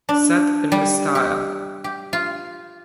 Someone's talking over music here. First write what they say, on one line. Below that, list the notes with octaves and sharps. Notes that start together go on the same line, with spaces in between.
Set in Mystara.
D4
G3
G4
G4
F4